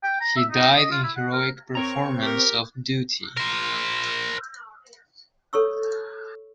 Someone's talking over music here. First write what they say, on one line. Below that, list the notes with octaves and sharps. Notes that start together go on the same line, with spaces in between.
He died in heroic performance of duty.
G5
A#5
E5
D#4
D#5
F4
E4
F#5
A#4
C4 A#4 C#5 A#5 C#6
G4 A#4
A#4 C5
A4 C#5 C#6 E6